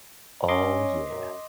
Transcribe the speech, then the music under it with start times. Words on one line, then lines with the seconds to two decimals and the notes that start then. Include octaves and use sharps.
Oh, yeah.
0.48 C#4 D#5 C6 D6
1.09 F#2